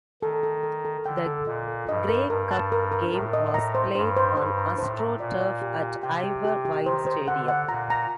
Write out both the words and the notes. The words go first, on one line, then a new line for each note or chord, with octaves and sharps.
The Grey Cup game was played on astroturf at Ivor Wynne Stadium.
D#3 A4
A4
A4
A4
D3 G5
A4
A#2 D#5
A4
G2 D#5
A#4
G2 A#4
A5
A#4
A#4
A2 A#4
D#5
A#5
C5
G2 C5
C5
G2 C5
A#5
A2 C5
A#5
A#2 D5
D5
G4
G4
C3 G5
G4
G4
G4
D#3 C5
C5
D3 F#5
F#5
A#2 A#5
A#5